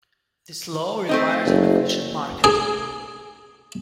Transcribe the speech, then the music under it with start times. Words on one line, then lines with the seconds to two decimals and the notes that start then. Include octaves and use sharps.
This law requires an efficient market.
1.09 A3 C4 D#4
1.46 F#1
2.44 G#4